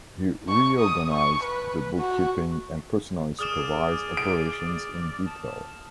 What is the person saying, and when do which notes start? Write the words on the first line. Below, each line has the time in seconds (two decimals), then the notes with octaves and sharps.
He reorganized the bookkeeping and personally supervised operations in detail.
0.49 C#6
0.80 D#6
1.11 C#6
1.44 B4
1.99 F#4
3.39 G#4 D5 D#6 F6 E7
4.17 D7
5.26 A5